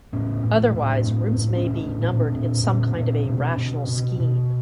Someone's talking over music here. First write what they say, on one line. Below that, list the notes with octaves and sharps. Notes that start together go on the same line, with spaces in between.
Otherwise, rooms may be numbered in some kind of a rational scheme.
A2 B3 C#4
A2
A2 C4 D4
A2
A2 C#4
D4
B3 C#4
A2
A#2 C4 D4
A#2
A#2 B3 C#4
A#2 C4 D4
B2
B2
B2
B2